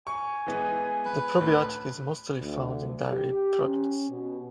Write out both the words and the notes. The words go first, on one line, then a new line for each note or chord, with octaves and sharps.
The probiotic is mostly found in dairy products.
G#5 C#6
E3 G#3 B3
B4
A1 D2
D2
G4
C#4
B2